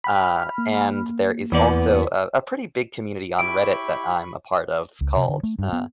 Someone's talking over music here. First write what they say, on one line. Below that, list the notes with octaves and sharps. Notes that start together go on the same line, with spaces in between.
uh, and there is also a a pretty big community on Reddit that I'm a part of called, uh,
B5 F6
A#3
E2 E3 B3 D5
E4 G4 B5 C#6 D7
C#2
C3
D3
A3
G2
B3